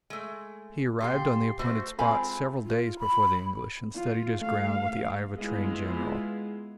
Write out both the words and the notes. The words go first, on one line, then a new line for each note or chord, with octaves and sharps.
He arrived on the appointed spot several days before the English and studied his ground with the eye of a trained general.
G#3 A3
A#2 G4 G5 C6
A3 F#4 C5
G#3 C4 F4 E5 G#5 B5
F4
B5
F4
A3 F5
G#3 B3 E4 F4